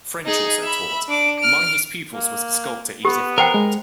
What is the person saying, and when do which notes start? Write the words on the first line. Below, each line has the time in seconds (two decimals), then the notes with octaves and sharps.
French also taught; among his pupils was the sculptor Edith Howland.
0.25 D#4 G#4
0.64 E5 B5
1.09 D4 D6
1.40 F6 D7
2.13 A#3
3.05 B3 G4
3.38 A#4 C5 F#5 G5
3.54 G#3